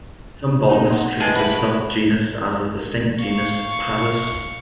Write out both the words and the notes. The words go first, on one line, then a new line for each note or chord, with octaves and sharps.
Some botanists treat the subgenus as a distinct genus "Padus".
D#4
F#5 C6
G#3 A#3 E4 B4 G5 A5
G#2 E4 F#4 B4 E5
F5 C#6